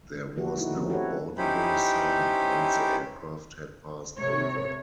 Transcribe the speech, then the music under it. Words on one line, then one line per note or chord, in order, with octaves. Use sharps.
There was no audible sound once the aircraft had passed over.
D3
D3 F3 A#3 F#4 G4
G3 D#4 E4 F#4
F3 A3 C4 C#4
F#4 G4 A4 B4 C#5
C#4 D#4 E4 G4 C5 B5
C3 C#5